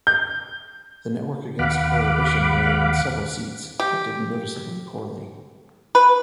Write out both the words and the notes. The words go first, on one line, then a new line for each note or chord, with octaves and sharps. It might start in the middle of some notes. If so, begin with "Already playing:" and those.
The Network Against Prohibition ran in several seats, but did noticeably poorly.
G6
D#2 F5 F#5 B5 D6
G4
B4